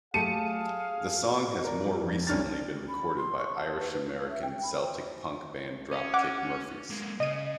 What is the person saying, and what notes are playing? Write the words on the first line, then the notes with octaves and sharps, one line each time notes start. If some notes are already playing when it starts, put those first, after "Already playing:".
The song has more recently been recorded by Irish-American Celtic punk band Dropkick Murphys.
F#3 A3 G4 G#4 F5 A5 C#7 D#7
A#4 D5
G3
F2
C2 C#4 D4 F6 A6
B5
C6
C#6
A5
B4
B4
F5
E5
G5
B5
C5
C#4
F#5 D6
G#3 A#3
C#3 D#5 D#7